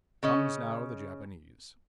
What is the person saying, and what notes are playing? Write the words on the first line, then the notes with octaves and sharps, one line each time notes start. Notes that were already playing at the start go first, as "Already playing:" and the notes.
Comes now the Japanese.
C#3 C#4 D#5